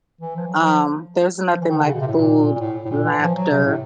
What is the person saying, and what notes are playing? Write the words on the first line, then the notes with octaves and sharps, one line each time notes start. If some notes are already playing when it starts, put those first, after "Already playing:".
Um, there's nothing like food, laughter.
E3
F3
F#3
F3
F3
E3
D#3
D3
C#3
B2
C3
A2
A#2
A#2
A#2
A2
A2
A#2
E3
F3
F#3
C3
A2